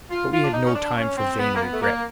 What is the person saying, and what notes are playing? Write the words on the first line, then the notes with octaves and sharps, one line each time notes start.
But we had no time for vain regrets.
F4
F4
D4
D#4
C#4
D4
C#4
C4
B3
A#3
B3
A3
A#3